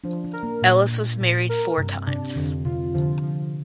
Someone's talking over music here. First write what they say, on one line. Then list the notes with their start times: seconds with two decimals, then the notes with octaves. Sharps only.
Ellis was married four times.
0.04 F3 D4
0.24 D4
0.33 A#4
0.43 A#3
0.62 A#2
0.91 A#2
1.20 A#2
1.49 A#4
1.78 G2 C3
2.07 C3 D4
2.36 F2 D3
2.65 C3 F4
2.94 D3 F3
3.23 F3